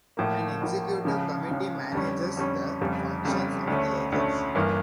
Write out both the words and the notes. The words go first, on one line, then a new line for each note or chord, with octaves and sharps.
An executive committee manages the functions of the agency.
A1 A2 F3 A#3
A1 A2 F3 A#3
C#2 C#3 F3
C#2 C#3 F3
F2 D3 G3 C#4
F2 D3 G3 C#4
F1 F2 C#3 G3
F1 F2 C#3 G3
D2 D3 A3 C#4
D2 D3 A3 C#4
G1 G2 E3 A#3